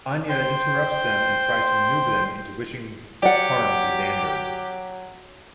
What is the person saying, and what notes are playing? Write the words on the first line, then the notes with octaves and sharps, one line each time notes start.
Anya interrupts them and tries to maneuver them into wishing harm to Xander.
C5 G5 C6
F#3 G4 D5 F#5